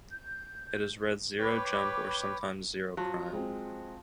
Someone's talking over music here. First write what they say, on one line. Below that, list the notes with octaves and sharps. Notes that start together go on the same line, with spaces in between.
It is read "zero-jump" or sometimes "zero-prime".
G6
B4 C#5 G5 B5 D6
F3 F#3 A5
G#3 C4